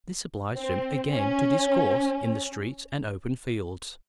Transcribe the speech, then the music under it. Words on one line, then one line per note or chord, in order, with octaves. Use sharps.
This obliged him again to discourse in the streets and open fields.
C4
C#4